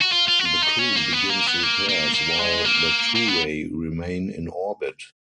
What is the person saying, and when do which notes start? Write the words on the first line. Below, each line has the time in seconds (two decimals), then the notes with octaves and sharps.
The crew begins repairs while the Turei remain in orbit.
0.01 F#4
0.12 F4
0.28 F4
0.39 F#4
0.45 F4
0.62 D#4
0.79 C#4
0.96 A#3
1.13 B3
1.30 A#3
1.47 B3
1.63 A#3
1.89 A#3
2.14 A#3
2.39 G#3
2.65 A#3
3.15 A#3
3.28 B3